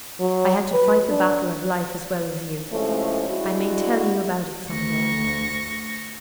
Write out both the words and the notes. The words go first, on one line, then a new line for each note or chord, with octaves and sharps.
I had to fight the battle of life as well as you. I may tell you about it some day.
F#3
B4
D4
A2 C3 F3 G#3 A3 C#4
G#3 D4 E4 F#4
D2 C#6 A#6